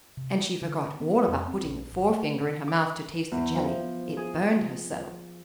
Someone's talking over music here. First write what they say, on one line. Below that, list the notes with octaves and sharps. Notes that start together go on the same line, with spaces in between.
And she forgot all about putting the forefinger in her mouth to taste the jelly, it burned her so.
C3
G#3
D3
B3
G#3
F2
C4
A#1
G1
A3
C#3
D6
E2
F3
G#4